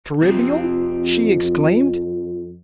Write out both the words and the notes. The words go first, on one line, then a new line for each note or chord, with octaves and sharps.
"Trivial!" she exclaimed.
F2 F3 C4 G4